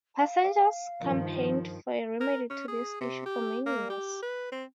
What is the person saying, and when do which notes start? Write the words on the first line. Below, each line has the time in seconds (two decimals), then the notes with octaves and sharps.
Passengers campaigned for a remedy to this issue for many years.
0.18 F5
1.02 G2 D#3 F3
2.21 A#4
2.50 C#4
2.68 G#4
3.01 C3
3.26 G4
3.66 A#3
3.90 G4
4.22 B4
4.52 C4